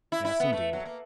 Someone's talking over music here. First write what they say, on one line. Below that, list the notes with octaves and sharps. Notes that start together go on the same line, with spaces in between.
Yes, indeed!
E4
E4
B3
A3
F#3
A#3